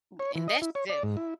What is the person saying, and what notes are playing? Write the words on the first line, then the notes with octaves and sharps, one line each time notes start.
N and that's def
C#5
E3
D#5
E4
C#5
D5
G#2
E4